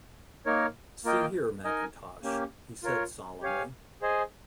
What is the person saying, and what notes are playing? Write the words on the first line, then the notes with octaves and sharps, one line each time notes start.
"See here, Mackintosh," he said solemnly.
A#3 D#4 A#4 C#5
A#3 F4 A#4 D#5 G5
D#4 A#4 D#5 G#5
A#3 C#4 G4
F4 A#4 C#5
G4 C#5 F5 G#5
G#4 C5 D#5 G#5